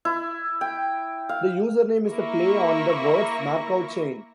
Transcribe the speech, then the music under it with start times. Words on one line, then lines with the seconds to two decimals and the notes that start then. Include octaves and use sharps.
The username is a play on the words "Markov chain".
0.05 E4
0.61 G5
1.29 F5
2.10 A#3 E4 A#4 E5 C#6 A#6